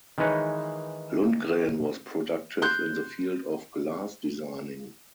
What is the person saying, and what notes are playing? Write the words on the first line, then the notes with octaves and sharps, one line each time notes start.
Lundgren was productive in the field of glass designing.
D#3 E3 G#3 D#4 B4 C#5
C6 F#6 G6